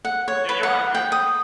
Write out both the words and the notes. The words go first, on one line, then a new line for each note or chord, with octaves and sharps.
Yeah, you had a good
F#5
C#5
B4
F#5
G5
D#6